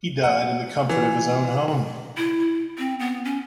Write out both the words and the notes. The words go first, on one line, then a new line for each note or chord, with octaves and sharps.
He died in the comfort of his own home.
F#5
E3
E4
C4
B3
C#4